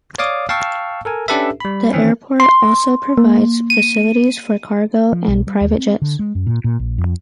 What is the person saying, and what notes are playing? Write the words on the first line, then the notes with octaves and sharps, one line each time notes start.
The airport also provides facilities for cargo and private jets.
C#5 D5 F5 D6 D#6
F5 G5 A5 C#6 E6
A4 A#4 G#5
C#4 D4 G4 A4 B4 E5
G3 B5
D#3 E3 C4 C#4
C6
A#3
D#7
F3
B1
G3
D#2
C4
D3
G#3
F#2
A#2
A#2
A#1
F2